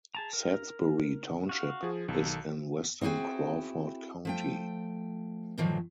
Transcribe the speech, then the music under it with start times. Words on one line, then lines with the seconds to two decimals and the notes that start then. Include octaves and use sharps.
Sadsbury Township is in western Crawford County.
0.15 G#4 A5 A#5
0.33 A#4
1.49 F#4 F5
1.83 F3 G#4
2.08 B1 D#3 A4
3.01 C4 E4 F#4 G#4 G5
4.25 F3 A3 G5
5.58 G2 A#2 D3 D#3 F3 F#3